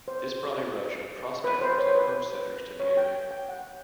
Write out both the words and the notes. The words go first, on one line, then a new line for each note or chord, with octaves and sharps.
This brought a rush of prospectors and homesteaders to the area.
C5
B4
C5
C#5
B4
C#5
G5
G5
F#5